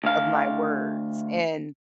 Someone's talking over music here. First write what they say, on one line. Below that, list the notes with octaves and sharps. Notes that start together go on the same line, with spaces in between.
of my words and
D2 F5